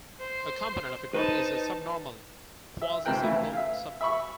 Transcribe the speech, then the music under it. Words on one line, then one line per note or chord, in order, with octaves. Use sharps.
A component of a group is a subnormal quasisimple subgroup.
C5
D#4 B4 C5 A5
E5
G#2 C3 F3 A#4 G5 F#6
C#3 E3 A3 E4
E5 F5
E5 B5 C#6